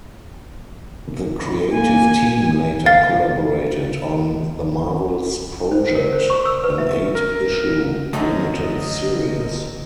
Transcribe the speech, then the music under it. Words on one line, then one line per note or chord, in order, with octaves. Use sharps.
The creative team later collaborated on "The Marvels Project" an eight issue limited series.
A#3 G#5
F5 A6
C5
A#4
C5
C#6
E6
B4
E5
A#4
F#2 D3 A3 D#5